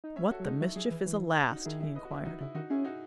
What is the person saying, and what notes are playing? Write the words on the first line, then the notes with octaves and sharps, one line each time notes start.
"What the mischief is a last?" he inquired.
D#4
C#4 C#5 E5
F#4 A4
F#3
G#3 D#4
F#3 E4
F#3 E4 G#4
E3
E3
D#4 F#4
D#3 E4 G#4
E4 G#4
B4 D#5
F#4
E4
D#3 D#4 F#4
C#3 E4
D#3 D#4 F#4
C#4 E4 G#4
D#4 F#4